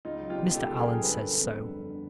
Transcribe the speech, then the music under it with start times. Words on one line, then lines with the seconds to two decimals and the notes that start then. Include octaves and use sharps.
Mr. Allan says so.
0.05 C#2 D#4 F4
0.21 F#3
0.30 F4 G4
0.38 B2
0.54 C#2 G4 A4
0.71 C#2
0.78 G#4 A#4
0.87 F#3
1.03 G1 A4 B4
1.19 D3
1.36 F2
1.53 G1
1.69 G1
1.86 D3